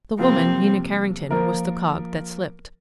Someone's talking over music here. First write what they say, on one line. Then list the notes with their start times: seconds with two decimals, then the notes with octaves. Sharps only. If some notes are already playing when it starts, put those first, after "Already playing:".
The woman, Nina Carrington, was the cog that slipped.
0.19 C3 F3 A#3 C4
1.31 F3 A#3 F4 A#4